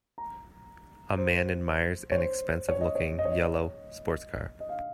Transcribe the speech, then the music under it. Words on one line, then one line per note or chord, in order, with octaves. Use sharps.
A man admires an expensive looking, yellow, sports car.
A#5
C5
C#5
C5
C#5
D#5
C#5
D#5
C#5
D#5
D#5
F5